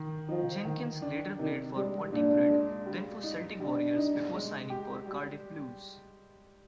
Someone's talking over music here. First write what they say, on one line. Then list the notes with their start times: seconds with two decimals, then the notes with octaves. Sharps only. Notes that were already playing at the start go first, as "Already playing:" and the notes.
Jenkins later played for Pontypridd, then for Celtic Warriors before signing for Cardiff Blues.
Already playing: D#3
0.29 F3 D#4
0.65 D#3
1.02 D4
1.39 C3 D#3
1.76 G3 G#3
2.13 A#2 D4
2.49 G#3
2.86 G3
3.24 D#4
3.60 G3 D4
3.96 D#4
4.34 G#3
4.70 G4
5.07 G3